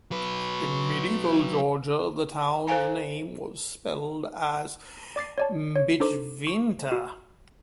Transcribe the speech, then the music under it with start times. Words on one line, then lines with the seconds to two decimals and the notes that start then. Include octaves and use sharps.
In medieval Georgia, the town's name was spelled as "Bichvinta".
0.11 F#3 B4
2.67 A4 C5 F5 G#5 A#5
5.16 D5 D6 A6 C7
5.38 C#5 D5 A5
5.76 C#5
6.00 D4 D#4 A4 C5 D6
6.47 C#6
6.92 F#4